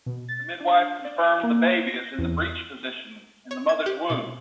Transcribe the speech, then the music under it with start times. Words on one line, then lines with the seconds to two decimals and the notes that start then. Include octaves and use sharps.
The midwife confirmed the baby is in the breech position in the mother’s womb.
0.06 B2
0.29 A6
0.61 D4
1.05 D5
1.43 A#3
1.87 A#6
2.19 E2
3.51 C#5
3.69 G#6
3.86 G4
4.10 B2